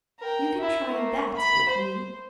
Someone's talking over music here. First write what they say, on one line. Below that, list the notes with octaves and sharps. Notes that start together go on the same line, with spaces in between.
You can try that with me.
A#4 G5
E4
A3 A#3
B5
C5